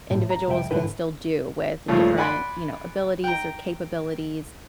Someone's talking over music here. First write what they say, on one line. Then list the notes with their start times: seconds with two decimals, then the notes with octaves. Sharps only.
individuals can still do with different, you know, abilities or capabilities,
0.11 A2
0.30 A#5
0.48 C2 F2 E5 G5
0.71 C2 G#2 D3 E4 B4 G5
1.88 G2 A#2 C#3 F3 A3
2.17 D5 F#5 G#5 B5 C6
3.24 G5 A#5